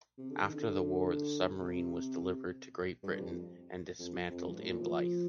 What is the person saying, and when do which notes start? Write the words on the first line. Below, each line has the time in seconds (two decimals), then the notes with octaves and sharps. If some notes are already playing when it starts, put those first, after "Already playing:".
After the war, the submarine was delivered to Great Britain and dismantled in Blyth.
0.18 C3
0.30 D3
0.41 D#3
0.54 D3
1.61 C3
3.03 G2
3.20 F2
3.99 F2
4.30 F2
4.47 G2
4.58 A2
4.71 A#2
4.82 F3